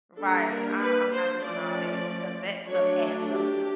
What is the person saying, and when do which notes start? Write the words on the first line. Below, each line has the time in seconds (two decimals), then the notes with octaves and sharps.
Right. I I'm not doing all that because that stuff adds up too.
0.18 G3 A#3 D4 A4
0.49 A#4
0.80 B4
1.12 C5
1.42 F3 A3 C#4 D5
2.67 F#3 A3 D4 C#5
3.30 G4